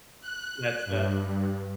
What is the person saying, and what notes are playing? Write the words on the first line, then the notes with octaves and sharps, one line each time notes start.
That's the
F#6
G2